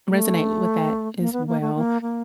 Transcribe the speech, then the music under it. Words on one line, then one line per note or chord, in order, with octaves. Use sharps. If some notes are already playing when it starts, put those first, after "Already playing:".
resonate with that as well.
A3
A#3
B3
A#3
A3
A#3
A#3